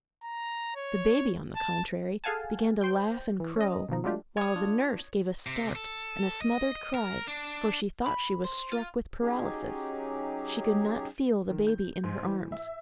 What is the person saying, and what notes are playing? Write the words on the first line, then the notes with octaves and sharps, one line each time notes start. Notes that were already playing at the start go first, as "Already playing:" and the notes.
The baby, on the contrary, began to laugh and crow; while the nurse gave a start and a smothered cry, for, she thought she was struck with paralysis: she could not feel the baby in her arms.
A#5
C#5
A5
G#4 A4 F5 F#5 G#5 A5
C5 G5 G6
E3
C#4 D#5
B2 D#3 F3 D#4
F#3 G#3 A3 D4 F4 G4
C#5 D#6
D4 F4
C3
A4
D#5
A#4
D4
B5
C5
F4
F#3 C#4 D#4 G4 G#4
D#3
G6
G#2
E3
E5